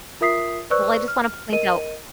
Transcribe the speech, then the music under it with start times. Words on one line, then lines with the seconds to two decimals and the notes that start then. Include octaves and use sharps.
well, I just wanna point out
0.21 F4 A#4 E5 D#6 B6 C7
0.70 B4 C5 D5 C#6 E6 F#6
1.08 F6
1.52 A#4 D#5 D#7